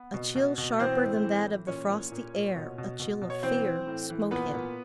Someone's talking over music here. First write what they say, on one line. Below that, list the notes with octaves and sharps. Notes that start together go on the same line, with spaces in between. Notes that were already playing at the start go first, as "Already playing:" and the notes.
A chill sharper than that of the frosty air--a chill of fear--smote him.
Already playing: B3
B2
B2
B2
E3 C4 C5
A2
E3
E3
A#2 C#4 C#5
A#2
A#2
A#2
B2
B2
B2
B2
C#5
E3 C4 C5
E3
A2
E3
A#2 B3 B4
A#2